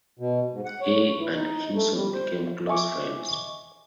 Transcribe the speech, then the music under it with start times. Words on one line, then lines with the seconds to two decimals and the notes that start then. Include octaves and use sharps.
He and Hewson became close friends.
0.19 B2
0.52 G#2
0.65 F#5
0.81 C#5
1.18 E3
1.35 D#4
1.75 A3
1.95 G3
2.13 C5
2.67 D#5 E5 G#5 C#6 D6